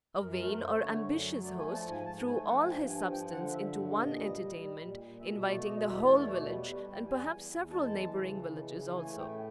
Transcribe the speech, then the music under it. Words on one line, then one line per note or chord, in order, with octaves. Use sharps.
A vain or ambitious host threw all his substance into one entertainment, inviting the whole village, and perhaps several neighboring villages also.
F#2 A#4
A3 A#4
A3 C5
D3 C#5
F#2
F#3
A3 D5
G#5
F3
A5
G#2
G#5
G#2 A5
A3 G#5
F3 F#5
G#5
G2 G5
F3 G#5
F3 G5
D3 F#5
D3 E5
G2
A#2 D#5
G3
G3
G3
A#2
A#2
B2 E5
A3
D5
B2
D#5
E2 E5
A3 D5
D5
B2 C#5
G3
B4
G3
E2 G5
E2 G#5
E2
E2
G#3 A5
E3
C#3
E3
C#3
E3
A3 G#5
A2 G5